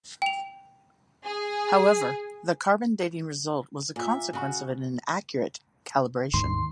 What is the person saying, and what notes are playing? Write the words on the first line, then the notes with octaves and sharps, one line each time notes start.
However, the carbon dating result was a consequence of an incorrect calibration.
G5 F7
G#4
A#2 E5
C#3 F#4
D#2 G#2 D#3 C6